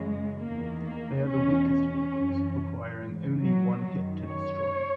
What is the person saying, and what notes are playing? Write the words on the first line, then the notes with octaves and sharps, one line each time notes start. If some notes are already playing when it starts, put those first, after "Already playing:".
They are the weakest vehicles, requiring only one hit to destroy.
Already playing: F#2 C#3 E3 G#3
E2 D#3 A#3
A#3
E2 B2 C#4
C#4
F#2 E3
G#2 E3
F#3
F#2 D#3
C#5